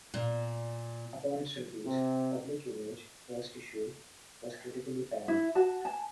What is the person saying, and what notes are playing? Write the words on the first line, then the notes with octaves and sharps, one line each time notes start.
Upon its release, "Public Image: First Issue" was critically panned.
A#2
C3
E4
F#4 A5
G#5 A5